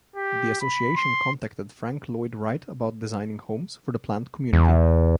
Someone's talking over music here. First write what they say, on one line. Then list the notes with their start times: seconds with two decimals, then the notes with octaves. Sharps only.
The association contacted Frank Lloyd Wright about designing homes for the planned community.
0.16 G4
0.60 B5
0.96 C6
4.53 E2